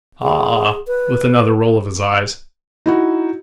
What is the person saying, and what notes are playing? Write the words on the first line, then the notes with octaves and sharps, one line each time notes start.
'Ah!' with another roll of his eyes.
G#4
B4
D#4 E4 F#4